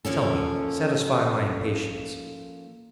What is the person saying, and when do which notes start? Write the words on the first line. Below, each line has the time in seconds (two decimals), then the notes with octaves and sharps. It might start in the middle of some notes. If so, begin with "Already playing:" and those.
"Tell me; satisfy my impatience."
0.05 F3 A#3 C#4 A4